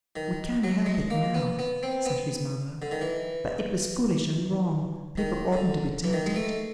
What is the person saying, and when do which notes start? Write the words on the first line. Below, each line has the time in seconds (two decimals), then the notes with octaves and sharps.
'We can't help it now,' said his mother; 'but it was foolish and wrong. People oughtn't to be tempted.'
0.16 D#3
0.64 F#3
0.86 G#3
1.10 A#3
1.34 B3
1.59 B3
1.83 C4
2.06 B3
2.82 D3
2.91 D#3
3.01 E3
5.18 D#3
5.53 D3
6.04 E3
6.13 D#3
6.26 G#3
6.36 A3